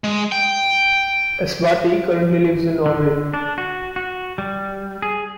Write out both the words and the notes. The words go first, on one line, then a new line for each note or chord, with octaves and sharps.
Esbati currently lives in Norway.
G#3
G5
D3
D4
F#4
F#4
G3
G#4